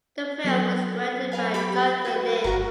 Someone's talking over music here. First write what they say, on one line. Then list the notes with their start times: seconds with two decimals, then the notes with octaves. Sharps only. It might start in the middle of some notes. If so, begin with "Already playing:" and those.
The film was directed by Jonathan Lynn.
0.45 F#3 B3 A4
1.32 B4 F5 G#5
1.54 G4 B5
2.05 F#4 B4
2.44 G1 F#4 A#4